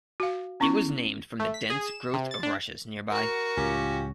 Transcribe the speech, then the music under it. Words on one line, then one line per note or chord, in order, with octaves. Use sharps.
It was named from the dense growth of rushes nearby.
F#4 F5
B3 C#4 E4 C#6
A3
B6
G#4
E7
C3
A6
D4
F#4 A#4
C#2 A2 C#4 F4 G4